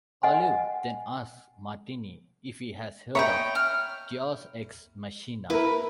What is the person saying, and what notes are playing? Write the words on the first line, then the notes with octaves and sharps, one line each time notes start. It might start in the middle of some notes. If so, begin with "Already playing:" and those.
Olive then asks Martini if he has heard of Deus Ex Machina.
D#5 F#5 G#5
C#5 D#5 E5 G5 A#5 B5
F6
E4 A#4 B4